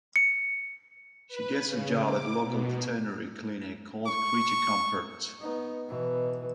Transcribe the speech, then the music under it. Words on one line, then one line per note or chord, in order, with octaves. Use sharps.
She gets a job at a local veterinary clinic called Creature Comforts.
C#7
B4
C#3
D6
B2
C#6
B3 D#4
B2 E3